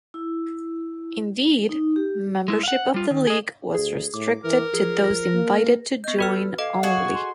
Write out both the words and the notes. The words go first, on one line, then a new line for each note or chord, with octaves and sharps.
Indeed, membership of the League was restricted to those invited to join only.
E4
D#4
G4
G#3 E4
F5 F#5
G3 F4
D#3
G#4 D#5
D2 G#4
A2 D6
E3 A#4
F3 G#4
A#6
A#3
B3 D#5 G6
F#4 A4 B4 F6
A4 D#5 F5 D6
F#4 G#4
C6